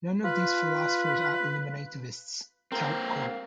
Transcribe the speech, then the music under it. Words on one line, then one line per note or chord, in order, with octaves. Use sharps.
None of these philosophers are eliminativists "tout court".
F4 B4
A#3 C4 A#4